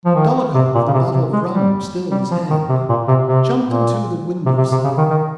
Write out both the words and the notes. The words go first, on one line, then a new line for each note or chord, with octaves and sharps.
Dolokhov, the bottle of rum still in his hand, jumped onto the window sill.
F3
D#3
C3
A#2
C#3
C3
C3
G#3
G3
G3
F3
D#3
C3
A#2
C3
C3
A#2
C3
C3
C3
C#3
D#3
D#3